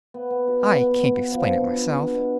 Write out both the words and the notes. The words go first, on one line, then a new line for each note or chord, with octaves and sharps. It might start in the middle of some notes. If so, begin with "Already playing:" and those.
"I can't explain it, myself."
B3
B3
F#4
B3
B3
B3
B3
F3
D4
B3
D4
B3
B2